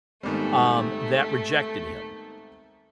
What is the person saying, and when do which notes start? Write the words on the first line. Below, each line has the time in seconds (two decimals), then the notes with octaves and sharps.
um, that rejected him
0.23 G#2 D#3 G3 A3 B3 C4